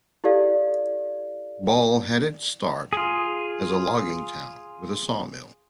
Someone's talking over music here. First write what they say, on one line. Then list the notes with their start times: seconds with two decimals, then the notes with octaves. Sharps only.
Ball had its start as a logging town with a sawmill.
0.24 E4 G4 A4 D5 F5
2.93 F4 G#4